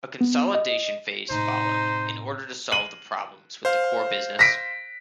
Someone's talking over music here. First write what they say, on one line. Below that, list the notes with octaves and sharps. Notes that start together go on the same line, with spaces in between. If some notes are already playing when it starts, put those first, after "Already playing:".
A consolidation phase followed, in order to solve the problems with the core business.
B3
D#5
A2 C3 D#4 C5
D#7 F#7
C5 F5
A#6 B6 D7